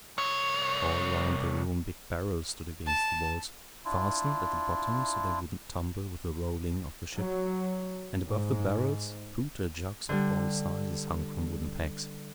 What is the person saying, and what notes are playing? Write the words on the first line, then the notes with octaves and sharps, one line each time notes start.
All round the room big barrels stood against the walls, fastened at the bottom so they wouldn't tumble with the rolling of the ship; and above the barrels, pewter jugs of all sizes hung from wooden pegs.
C2 C#5
A5
D4 E4 F4
F#3
G#2
D3 G3